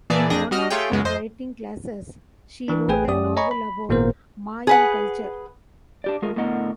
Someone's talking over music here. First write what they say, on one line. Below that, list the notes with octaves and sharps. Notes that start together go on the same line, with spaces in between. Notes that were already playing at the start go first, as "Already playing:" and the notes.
In one of her writing classes, she wrote a novel about Mayan culture.
A#2 E3 G#4 D5 A5
F2 D4 G#4 G5 A#6
G3 F#4 D#5 F6
A3 F4 G4 G#4 C#5 G5
C#2 F#2 G#3
F2 C5 D#5
E3 D4
A1 A3 G#4 B4 G5 G#5
F#2 C#4 G4 D5 D#6
C#5 D#5 G#5 A#5 B5 C#6
B5
G#1 A#2 A#3 B3 A#4 C5
G#4 B4 F#5
D4 G4 D5
G#3 A3 F4 G#4 A#4
A2 D3 B3 A#4 D#5 F#5